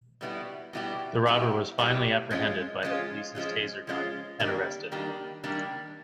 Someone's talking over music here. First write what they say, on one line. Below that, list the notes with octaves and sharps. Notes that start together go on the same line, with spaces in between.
The robber was finally apprehended by the police's taser gun and arrested.
B2 G3 B3 E4 G4
B2 G3 B3 E4 G4
B2 G3 B3 E4 G4
B2 G3 B3 E4 G4
F3 G#3 C#4 F4
F3 G#3 C#4 F4
F3 G#3 C#4 F4
F3 G#3 C#4 F4
D#3 G3 A#3 D4 G4
D#3 G3 A#3 D4 G4
D#3 G3 A#3 D4 G4